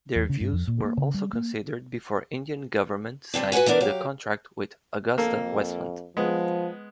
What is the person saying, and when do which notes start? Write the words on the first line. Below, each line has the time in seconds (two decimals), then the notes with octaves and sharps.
Their views were also considered before Indian Government signed the contract with Agusta Westland.
0.16 E2
0.29 C#3
0.41 G2
0.53 F2
0.67 A#2
0.84 A#3
0.98 C#3
1.14 G3
1.33 A#3
3.34 D3 G3 C4 D4
3.52 F#4 B4 C#5 F#5 G#5
3.66 E3 B3 D4 A#4 D5
3.81 F#3 G4 F5
5.18 F2 A#3 A4
6.17 F3 G#3 B3